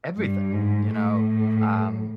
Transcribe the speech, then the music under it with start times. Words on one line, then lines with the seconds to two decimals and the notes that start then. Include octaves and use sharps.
everything, you know? Um,
0.17 G2
0.53 G#2
0.90 A2